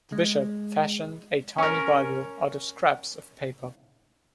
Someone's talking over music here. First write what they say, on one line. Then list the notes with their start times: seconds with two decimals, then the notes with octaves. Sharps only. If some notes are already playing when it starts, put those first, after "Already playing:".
The bishop fashioned a tiny Bible out of scraps of paper.
0.12 G#3
1.58 C#4 A#4